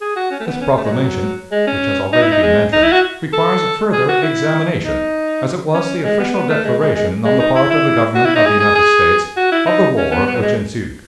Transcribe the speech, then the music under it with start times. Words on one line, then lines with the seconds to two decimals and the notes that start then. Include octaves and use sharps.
This proclamation, which has already been mentioned, requires a further examination, as it was the official declaration, on the part of the Government of the United States, of the war which ensued.
0.01 G#4
0.16 F#4
0.31 C#4
0.40 A3
0.47 B3
0.61 C#4
0.77 A3
0.84 G#3
0.92 F#3
1.52 G#3
1.67 C#4
2.13 D#4
2.22 E4
2.32 D#4
2.43 G#3
2.72 D#4
2.83 E4
2.93 F#4
3.33 A4
3.93 G#4
4.08 F#4
4.23 E4
4.84 D#4
5.74 C#4
6.04 G#3
6.19 B3
6.35 B3
6.49 A3
6.65 G#3
6.80 G#3
6.95 G#3
7.25 G#3
7.40 D#4
7.55 E4
7.71 E4
8.15 F#4
8.25 E4
8.35 D#4
8.46 G#4
8.60 G#4
8.75 G#4
9.37 F#4
9.52 E4
9.66 D#4
9.97 C#4
10.12 B3
10.27 B3
10.36 F#3
10.42 G#3